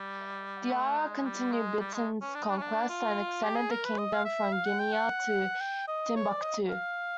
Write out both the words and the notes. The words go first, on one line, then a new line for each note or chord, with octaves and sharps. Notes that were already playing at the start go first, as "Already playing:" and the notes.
Diarra continued Biton's conquest and extended the kingdom from Guinea to Timbuktu.
Already playing: G3
A3
G#3
G3
G#3
G3
G#3
C#4
D4
D#4
D4
C#4
D4
F4
G4
G#4
A#4
B4
D#5
F5
E5
F5
F#5
G5
F#5
G5
D#5
C#5
D5
D#5
F5